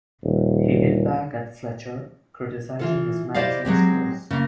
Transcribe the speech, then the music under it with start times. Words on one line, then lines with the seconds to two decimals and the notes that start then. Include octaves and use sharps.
He hit back at Fletcher, criticising his management skills.
0.23 D#1
2.79 E3 F4 A4
3.34 E4 G4 C5 D5 D#5 F5
3.65 F#3 G#3 C4 G4
4.31 C#3 A#3